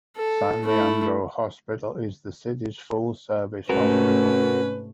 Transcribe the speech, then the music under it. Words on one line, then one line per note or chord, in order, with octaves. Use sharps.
San Leandro Hospital is the city's full service hospital.
A4
A3 E4
G#2 C3 A3 C#4 F#4 A#4 B4